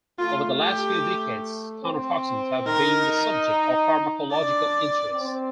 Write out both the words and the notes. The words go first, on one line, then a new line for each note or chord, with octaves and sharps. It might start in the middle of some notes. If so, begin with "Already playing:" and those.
Over the last few decades conotoxins have been the subject of pharmacological interest.
A3 F4
G4
C4
D#4 A#4
D4 D5
C4